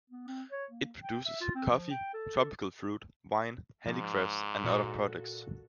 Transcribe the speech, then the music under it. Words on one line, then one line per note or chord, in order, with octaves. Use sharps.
It produces coffee, tropical fruit, wine, handicrafts, and other products.
B3
C4
C#5
A#3
G5
E5
F4
C4
F3
G5
A4
G#2 F3
A#2 F#4 A4